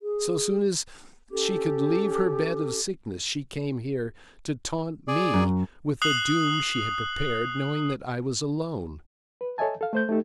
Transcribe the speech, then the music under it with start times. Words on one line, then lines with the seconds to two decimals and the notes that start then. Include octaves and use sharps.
So soon as she could leave her bed of sickness she came here to taunt me with the doom she had prepared, knowing that I was alone.
0.02 G#4
1.30 C#4 G4 A4 D6
5.08 G#4 D5
5.34 F#2
6.02 D#6 F#6 C7 F#7
9.41 B4
9.58 A4 C#5 D#5 E5 G#5 A5
9.81 A4 F5
9.93 A3 C5 G6
10.09 A3 D#4 G4 A4